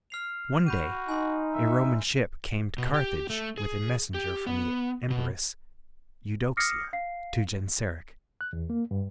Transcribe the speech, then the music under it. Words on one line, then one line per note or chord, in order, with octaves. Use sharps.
One day a Roman ship came to Carthage with a messenger from the Empress Eudoxia to Genseric.
F6 C7 F7
F#4 B5 G6 D#7
D#4 G#5 C6
E5
B2
G4
A3
G#4
G4
B3
B2
D6 D#6 F6 A#6 C7 C#7
F5 C7
F#6
E2
A#3
G2